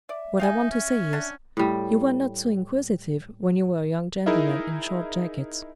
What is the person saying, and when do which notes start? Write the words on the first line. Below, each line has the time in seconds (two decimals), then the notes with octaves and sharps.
What I want to say is: you were not so inquisitive when you were a young gentleman in short jackets.
0.09 D5 E5
0.39 D#4 F5 G5 G#5
0.71 C#4
1.13 D4 F#5
1.57 A2 G3
4.26 D#4 E4 G#4 A#4 D#5 E5